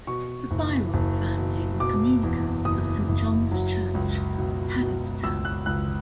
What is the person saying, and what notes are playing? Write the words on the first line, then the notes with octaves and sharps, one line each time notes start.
The Byron family were communicants of Saint John's Church, Hagerstown.
B2 C#6
F#1
F#1
B2
B2 D6
E2
F#1 D#6
F#1
F#3
C#2
B2
B2
C#2 E6
F#6
C#2 F#6